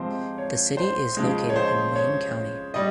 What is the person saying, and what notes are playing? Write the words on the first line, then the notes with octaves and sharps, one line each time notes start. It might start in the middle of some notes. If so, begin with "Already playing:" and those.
The city is located in Wayne County.
Already playing: C3 F3 G#3 C4 C5
C#5
C5
C#3 F3 G#3
C#5
C5
C#5
G3 D#5